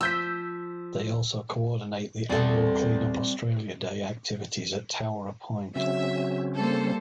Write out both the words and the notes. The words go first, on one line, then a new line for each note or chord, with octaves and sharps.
They also coordinate the annual Clean Up Australia Day activities at Towra Point.
F3 E6 G6 B6
E2 G3 C4 A4 D5
C#3 F#3 C4 C#4 E5
G3 A#3 A4 C5